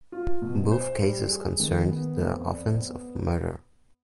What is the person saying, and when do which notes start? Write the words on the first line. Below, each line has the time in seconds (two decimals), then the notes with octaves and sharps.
Both cases concerned the offence of murder.
0.12 F4
0.42 B2
0.71 C5
1.01 G3
1.30 G#4
1.59 D#3
1.89 B3
2.19 F2
2.49 D5
2.78 B3